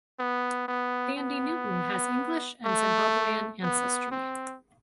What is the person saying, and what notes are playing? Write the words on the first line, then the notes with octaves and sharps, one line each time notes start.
Thandie Newton has English and Zimbabwean ancestry.
B3
B3
B3
A3
B3
C4